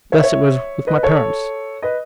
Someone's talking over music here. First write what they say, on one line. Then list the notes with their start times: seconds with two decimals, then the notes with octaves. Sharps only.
Thus it was with my parents.
0.12 C#5 E5
0.24 C#5 E5
0.87 B4 D#5
1.03 A4 C#5
1.82 B4 D#5